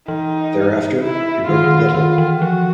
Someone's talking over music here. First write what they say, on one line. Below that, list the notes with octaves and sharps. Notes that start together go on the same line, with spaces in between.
Thereafter he wrote little.
E3 D#4
E4
D#3 F4
D#3
D#3
D#3 F4
E3
F3 F#4